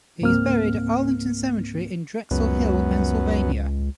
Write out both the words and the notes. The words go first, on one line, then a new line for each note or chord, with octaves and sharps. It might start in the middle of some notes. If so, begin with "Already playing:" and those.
He is buried at Arlington Cemetery in Drexel Hill, Pennsylvania.
C#2 G#2 A#3 C4 F6
C#2 F#2 B3